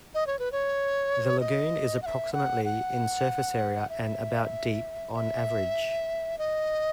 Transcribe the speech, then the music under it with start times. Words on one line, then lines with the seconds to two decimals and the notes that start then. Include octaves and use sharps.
The lagoon is approximately in surface area and about deep, on average.
0.15 D#5
0.27 C#5
0.39 B4
0.52 C#5
1.40 D#5
2.02 F#5
2.06 E5
2.33 F#5
2.65 F#5
3.89 E5
5.14 E5
6.38 D#5